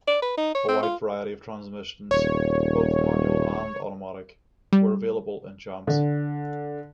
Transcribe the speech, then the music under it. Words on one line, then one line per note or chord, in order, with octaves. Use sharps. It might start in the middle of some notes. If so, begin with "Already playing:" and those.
A wide variety of transmissions, both manual and automatic, were available in Champs.
D5
B4
D#4
C#5
C4
F4
D#1 C#5
G3
D3